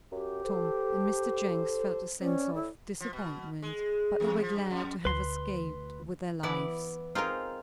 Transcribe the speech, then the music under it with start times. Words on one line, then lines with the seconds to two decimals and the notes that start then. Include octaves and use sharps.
Tom and Mr. Jenks felt a sense of disappointment, but they were glad to have escaped with their lives.
0.12 F#2 G4
0.44 A4 C5
2.20 C4 C#4 D5
2.55 A2 E4
3.00 F3
3.13 B2
3.62 G#3
4.20 E2
4.42 F3
4.56 G2
4.71 F2
5.05 D2 B4 C6
6.43 E3 B3 E4 D5
7.15 C4 D#4 F4 G#4 A#4